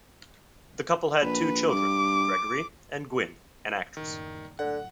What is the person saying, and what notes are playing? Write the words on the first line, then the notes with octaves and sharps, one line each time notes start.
The couple had two children, Gregory and Gwynne, an actress.
A#1 B4
G2 D6
F#1 A2 D#3 G3
A2 D3 F#3 A3 F#5